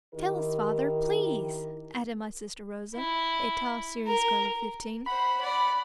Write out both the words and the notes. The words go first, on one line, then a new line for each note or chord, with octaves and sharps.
"Tell us, father, please," added my sister Rosa, a tall, serious girl of fifteen.
D#3 E4 G4 A#4
E4
A#4
C5 F#5 B5
D5 F#5